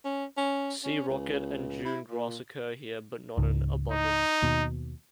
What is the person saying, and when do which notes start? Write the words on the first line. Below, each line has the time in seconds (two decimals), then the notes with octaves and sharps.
Sea rocket and dune grass occur here, but not in abundance.
0.05 C#4
0.37 C#4
0.84 C#4
1.08 C#2
1.85 E4
2.07 A#2
3.38 C#2 G#2
3.91 D#4
4.42 D#2 B2